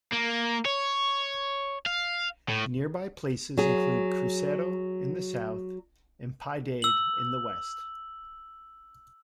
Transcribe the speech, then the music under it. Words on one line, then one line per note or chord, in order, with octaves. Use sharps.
Nearby places include Cruzeiro in the south and Piedade in the west.
A#3
C#5
F5
A2
F#3 G#4
E6 F#7